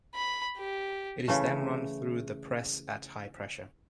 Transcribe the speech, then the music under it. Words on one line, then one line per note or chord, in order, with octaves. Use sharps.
It is then run through the press at high pressure.
B5
G4
C#3 E3 A3